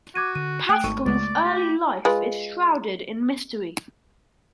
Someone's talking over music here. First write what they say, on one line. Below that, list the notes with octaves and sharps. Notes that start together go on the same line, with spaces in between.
Pascal's early life is shrouded in mystery.
F#4 D6 G#6 D#7
D3 D#7
A3 F#5 G5 F#6 D7
G#1 A4 C#6 D#7
C#2 G#3 B3 D5
G4
G#3 F4 B4